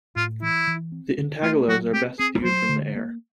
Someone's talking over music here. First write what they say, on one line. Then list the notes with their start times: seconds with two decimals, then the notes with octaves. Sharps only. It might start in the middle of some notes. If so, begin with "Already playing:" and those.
The intaglios are best viewed from the air.
0.16 A2 F4
0.42 E3 E4
0.67 E3
0.92 C4
1.18 D3
1.43 A3 F4
1.68 F#3 F#4
1.94 C4 G4
2.19 C4 G#4
2.44 F#3 C5
2.69 D3
2.95 A#3